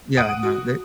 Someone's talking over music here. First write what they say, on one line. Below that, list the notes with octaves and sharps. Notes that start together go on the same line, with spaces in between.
Yeah, no, they
F#5 D#6 D7 D#7
F#4